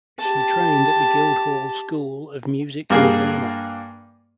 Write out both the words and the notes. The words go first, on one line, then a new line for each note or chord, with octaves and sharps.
She trained at the Guildhall School of Music and Drama.
G4 A5
G2 A#3 G#4